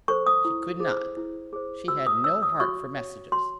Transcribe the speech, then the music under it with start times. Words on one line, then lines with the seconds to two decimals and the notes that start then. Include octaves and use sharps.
She could not; she had no heart for messages.
0.08 A4 C5 C#6
0.27 D#6
0.45 E4
0.80 G#4 C5
1.17 E4
1.53 G#4 C5
1.88 F#4 E6
2.07 D#6
2.24 C#5 E6
2.43 D#6
2.60 F#4 C#6
2.96 C#5
3.32 F#4 C6